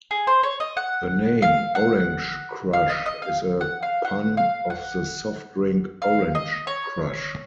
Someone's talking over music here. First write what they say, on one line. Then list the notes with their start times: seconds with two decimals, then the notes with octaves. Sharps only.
The name Orange Krush is a pun of the soft drink Orange Crush.
0.11 G#4
0.27 C5
0.43 C#5
0.60 D#5
0.77 F#5
1.42 F5
1.75 F#5
2.73 F5
2.90 D#5
3.06 D#5
3.22 F5
3.61 F#5
3.83 F5
4.05 F#5
4.37 F5
4.70 F#5
6.02 F5
6.35 D#5
6.67 C#5